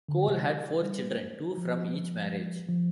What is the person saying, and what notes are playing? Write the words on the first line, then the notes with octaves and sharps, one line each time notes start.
Cole had four children, two from each marriage.
D3
C3
G3
F3
F3